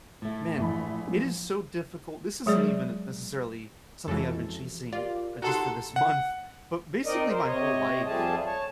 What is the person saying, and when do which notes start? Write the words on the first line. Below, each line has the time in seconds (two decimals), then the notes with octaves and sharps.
man, it is so difficult, this isn't even necessarily something I've been chasing, uh, just for this month, but basically my whole life
0.22 A2 A3
0.58 A#1 E3 B5
1.08 F3
2.46 F#3 G#3 G#4 D5
4.08 F2 E3 G#3 C#4 F#4 G#4 A4
4.93 F4 G4 A#4 D5
5.42 D#4 F#4 G4 A4 F#5 A#5 C6
5.96 F#5
7.06 C4 D#4 A#4 D5 D#5
7.29 A#4 C5
7.47 C3 C#5 D#5
8.07 F2 F3 G3 A3 G#4 A5
8.46 C#5 A5